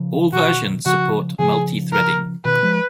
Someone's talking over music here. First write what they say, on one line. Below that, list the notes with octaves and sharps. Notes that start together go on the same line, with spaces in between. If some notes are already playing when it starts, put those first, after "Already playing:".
All versions support multi-threading.
Already playing: C#3 F3
B2 D#3 F#4
C#3 F3 F#4
C#3 F3 G#4
A#4
B2 D#3 B4
F3 G#3